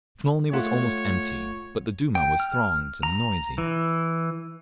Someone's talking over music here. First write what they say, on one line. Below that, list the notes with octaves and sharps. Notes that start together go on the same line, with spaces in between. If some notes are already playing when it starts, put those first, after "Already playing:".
Smolny was almost empty, but the Duma was thronged and noisy.
A3 F4 C#5 F#5
G5
F6
A#5
E3